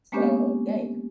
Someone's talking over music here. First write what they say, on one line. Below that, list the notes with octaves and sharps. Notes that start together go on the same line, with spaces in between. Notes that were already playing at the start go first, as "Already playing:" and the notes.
so, yeah, you could
G#3 A#3 B3 C#4 D4 G4